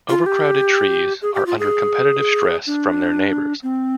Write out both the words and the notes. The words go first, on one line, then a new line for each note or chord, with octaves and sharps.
Overcrowded trees are under competitive stress from their neighbors.
F4
G4
G#4
G4
F4
G#4
D4
C4